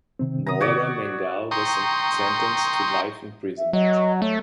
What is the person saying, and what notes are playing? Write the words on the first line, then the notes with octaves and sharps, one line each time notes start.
Noora Mengal was sentenced to life imprisonment.
C3 D#3 C4
A#5 D#6
F#4 C#5 D5
G5 A#5 C6 C#6 D#6
E5
F#3 D#5
A3 C#5